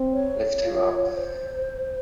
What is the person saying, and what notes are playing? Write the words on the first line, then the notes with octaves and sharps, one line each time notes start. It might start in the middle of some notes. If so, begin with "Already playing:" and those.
Lift him up.
Already playing: C4
C#5
F4
C5